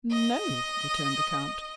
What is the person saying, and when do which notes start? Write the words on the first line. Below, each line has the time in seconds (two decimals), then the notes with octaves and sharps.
"No," returned the count.
0.12 D#5